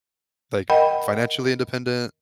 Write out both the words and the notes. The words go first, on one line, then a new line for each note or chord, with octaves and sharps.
like, financially independent.
A#4 D#5 F#5 G5 B5